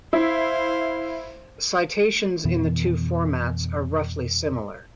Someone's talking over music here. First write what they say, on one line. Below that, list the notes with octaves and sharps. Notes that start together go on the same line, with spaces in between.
Citations in the two formats are roughly similar.
E4 C5 F5
F2 B2 E3 B3